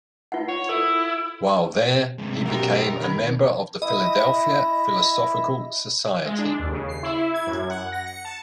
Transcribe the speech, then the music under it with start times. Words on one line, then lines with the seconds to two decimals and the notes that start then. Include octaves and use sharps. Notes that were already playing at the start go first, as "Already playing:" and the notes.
While there, he became a member of the Philadelphia Philosophical Society.
0.32 F4 F#5
0.49 C#5
0.69 E4 A4
2.18 C3 G#3
2.46 F#2 B2 G4 A#4
3.00 D#3 B5 G#6
3.82 E4 D#5 E5
6.25 G#3
6.39 D4
6.59 D#2
6.72 C#3
6.89 C7
7.03 E4
7.34 G#6
7.47 F#2
7.70 F#5
7.92 A#6
8.06 C#7
8.25 A5